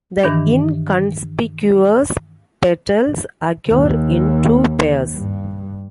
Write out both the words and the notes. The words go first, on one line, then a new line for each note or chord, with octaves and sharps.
The inconspicuous petals occur in two pairs.
G2 D#3 E3 D4
D#2
G2